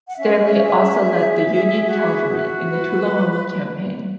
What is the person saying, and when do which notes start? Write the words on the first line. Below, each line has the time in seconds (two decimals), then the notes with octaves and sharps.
Stanley also led the Union cavalry in the Tullahoma Campaign.
0.06 F#5
0.17 C#4 E5
0.59 G#4
1.01 G#4
1.43 G#4
1.85 F#4
2.27 F#4
2.70 B4